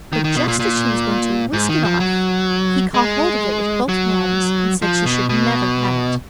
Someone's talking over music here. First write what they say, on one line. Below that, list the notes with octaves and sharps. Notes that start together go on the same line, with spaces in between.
But just as she was going to whisk it off, he caught hold of it with both hands, and said she should never have it.
D#3
D#3
B2
A#2
A#2
G#2
D#3
F3
F#3
G#3
F#3
F3
B2
B2